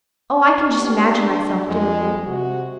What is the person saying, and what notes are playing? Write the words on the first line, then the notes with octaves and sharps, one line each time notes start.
Oh, I can just imagine myself doing it.
G3 B3
D4
F2 G#3
C3 F#4